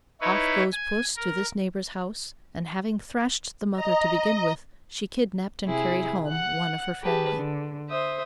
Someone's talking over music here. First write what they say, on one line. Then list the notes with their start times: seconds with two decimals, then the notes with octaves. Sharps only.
Off goes puss to this neighbour's house, and having thrashed the mother to begin with, she kidnapped and carried home one of her family.
0.21 D#4 E4 B4 C#5
0.73 G#5
1.17 A#4
3.73 D#5 A#5
5.66 C3 E4 G#4
6.29 F#5 F#6
7.02 G4 G#4 B4 A5
7.36 D3
7.89 C5 E5 D#6